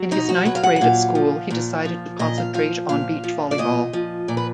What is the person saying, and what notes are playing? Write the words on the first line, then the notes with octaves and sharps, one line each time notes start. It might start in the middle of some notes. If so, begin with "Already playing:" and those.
In his ninth grade at school he decided to concentrate on beach volleyball.
Already playing: F#3
B2 D#4
F#4
F#3 B4
F5
F#5
F#5
A#2 F5
F3
A#2
F3
A#2 D#5
F5
F3 F5
A#2 F5
F3
D5
A#2 D#5
F3
A#2 D5
B4